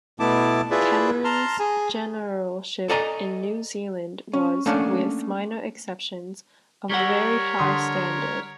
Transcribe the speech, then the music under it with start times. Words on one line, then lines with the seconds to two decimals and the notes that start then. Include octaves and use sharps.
Cameron's generalship in New Zealand was, with minor exceptions, of a very high standard.
0.20 B2 A3 B3 E4 A5 D6
0.71 E4 F4 G#4 B4 D5 E5
1.25 A5 A#5 C6 F6
1.59 G#4 G#5
2.89 A4 D5 D#5 G#5 A#5
4.33 C#4
4.66 A3 A#3 C#4 D4
6.90 G3 G4 A#4 C#5 F#5
7.58 D3 C6 D#6